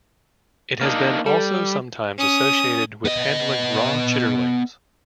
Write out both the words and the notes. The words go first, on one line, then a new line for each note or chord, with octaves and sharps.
It has been also sometimes associated with handling raw chitterlings.
A#3 D4 D#4
G3 A4
C#4 D#6
B3 D#5